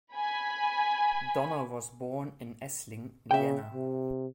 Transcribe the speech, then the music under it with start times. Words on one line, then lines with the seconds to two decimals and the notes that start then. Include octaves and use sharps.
Donner was born in Essling, Vienna.
0.14 G#5 B5
3.31 C#3 E5 G5
3.74 C3